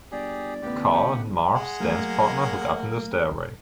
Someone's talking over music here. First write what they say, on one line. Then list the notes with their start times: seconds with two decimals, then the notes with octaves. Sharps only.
Carl and Marv's dance partner hook up in the stairway.
0.12 G1 G4 G#4 D5
0.63 A1 D3 B3 G4
0.93 G4 F#5
1.55 G#3 F#5
1.80 F#3 A3 A#3